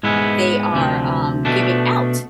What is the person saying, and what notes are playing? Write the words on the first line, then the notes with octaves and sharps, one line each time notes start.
they are, um, giving out,
G#2 G#3 B3 E4
D2 C3 F3
B2 A3 D4